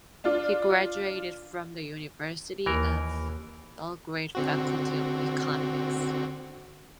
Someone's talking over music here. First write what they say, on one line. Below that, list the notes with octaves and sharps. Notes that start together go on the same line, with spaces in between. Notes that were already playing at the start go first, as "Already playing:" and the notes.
He graduated from the University of Belgrade Faculty of Economics.
D4 F4 D5
D#2 E3 A#4
D3 C4 F#4